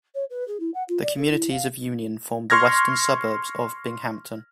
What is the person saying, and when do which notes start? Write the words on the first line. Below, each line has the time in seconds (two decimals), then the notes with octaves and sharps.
The communities of Union form the western suburbs of Binghamton.
0.15 C#5
0.30 B4
0.48 G#4
0.60 E4
0.74 F#5
0.89 F4
1.02 D5
1.18 A4
1.31 E4
1.51 F5
2.50 C6 C#6 F6 G#6 A#6